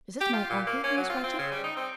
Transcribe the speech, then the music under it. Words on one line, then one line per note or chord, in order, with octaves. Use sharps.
"Is it my uncle who is writing?"
G4
F4
A#2
A#3
C#4
F#3
F4
C4
C#3
G3
D#4
C4